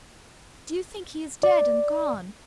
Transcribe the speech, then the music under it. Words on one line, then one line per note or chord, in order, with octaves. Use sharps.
"Do you think he is dead and gone?"
D5